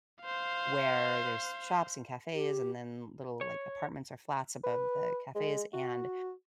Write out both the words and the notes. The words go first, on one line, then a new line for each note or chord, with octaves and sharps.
where there's shops and cafes, and then little, like, apartments or flats above the cafes. And
C5 F5
G4
C#5
B4
G#3
F#4